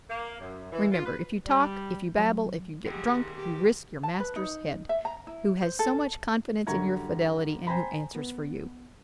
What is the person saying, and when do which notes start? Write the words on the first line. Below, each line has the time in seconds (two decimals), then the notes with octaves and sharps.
Remember, if you talk, if you babble, if you get drunk, you risk your master's head, who has so much confidence in your fidelity, and who answers for you.
0.09 A#3
0.40 F#2
0.72 E3
0.92 F4
1.05 B4
1.47 G3
2.18 F#3
2.86 D#3 G4 G#4 F#5
3.35 G4
4.03 A5
4.20 B4
4.36 D#4
4.89 E5
5.05 A#5
5.27 E4
5.62 C5
5.79 A4
6.67 F#2 D3 G3 A#5 C#6 G#6
7.67 C5 G5 G#5 A#5 B5
8.15 B3